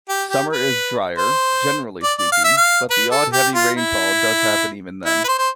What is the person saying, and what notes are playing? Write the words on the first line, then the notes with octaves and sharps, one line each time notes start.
Summer is drier, generally speaking, but the odd heavy rainfall does happen even then.
G4
G4
B4
C5
D5
D5
F5
E5
F5
B4
A4
G4
F4
E4
E4
B4
C5
C5